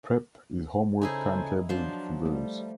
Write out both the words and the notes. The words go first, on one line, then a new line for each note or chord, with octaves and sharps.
Prep is homework timetabled for girls.
C#3 D#4 E4 G#4 A4 C5 G#5
F3 F#3 D4 C5
G3 A3